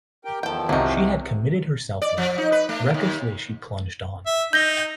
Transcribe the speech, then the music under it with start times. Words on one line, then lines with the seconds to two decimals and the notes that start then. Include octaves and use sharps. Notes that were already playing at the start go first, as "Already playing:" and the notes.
She had committed herself now; recklessly she plunged on.
0.25 G4 A#4 G5
0.43 E2 D#3 F3 A4 G5
0.69 C2 C3 F#3 D#4
2.02 D5
2.18 F3
2.38 D#4
2.52 B4
2.69 A3
2.94 D#2
4.26 E5
4.53 D#4 G6 A#6 G7